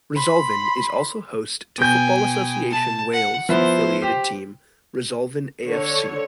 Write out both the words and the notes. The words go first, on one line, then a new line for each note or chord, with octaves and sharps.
Resolven is also host to Football Association Wales affiliated team Resolven AfC.
B5 C6
B2 G5 G#5 G6
A5
F#5
F3 B3 E4 C5
G4
D3 C#5